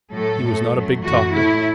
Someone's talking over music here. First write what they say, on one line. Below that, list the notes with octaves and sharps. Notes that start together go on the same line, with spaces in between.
He was not a big talker.
A2 F#3 A3 A4
A2 A3
F#2 F#3 A3
F#2 E3 A3 F#4
A2 A3 E4